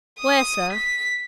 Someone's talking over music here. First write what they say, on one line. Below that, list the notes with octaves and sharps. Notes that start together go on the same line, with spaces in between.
"Where, sir?"
D#6
B6